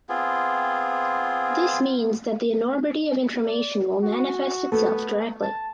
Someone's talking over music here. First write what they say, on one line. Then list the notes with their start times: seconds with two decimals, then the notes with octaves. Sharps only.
This means that the enormity of information will manifest itself directly.
0.09 B3 C4 F4 G#4
3.45 D5
4.02 F#4
4.72 A3 B3
5.42 A5